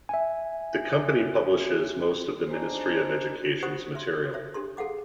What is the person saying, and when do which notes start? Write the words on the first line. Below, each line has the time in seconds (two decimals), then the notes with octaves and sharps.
The company publishes most of the Ministry of Education's material.
0.09 E5 G#5
2.48 D4 D#4 G#4 C5
3.62 F4 G4 C5 F#5 C#6 D#6
3.95 E5 C6
4.33 C5 C#5 E5
4.54 D4 G4 A4 C6
4.77 G#4 A4 F5 F#5 D6